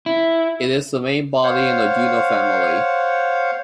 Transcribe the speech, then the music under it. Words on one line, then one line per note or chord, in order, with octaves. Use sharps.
It is the main body in the Juno family.
E4
C5 C#5 F5 F#5